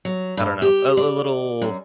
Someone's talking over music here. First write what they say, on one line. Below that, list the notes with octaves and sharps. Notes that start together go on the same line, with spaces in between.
I don't know, a l little,
F#3
G2
G4
D5
F#2